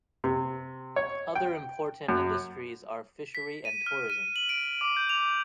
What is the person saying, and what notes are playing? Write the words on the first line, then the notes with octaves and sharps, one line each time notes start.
Other important industries are fishery and tourism.
C3
C#5
G5
F#2
B6
D#7
F6
D#7
F#7
D7
D6
G6
F7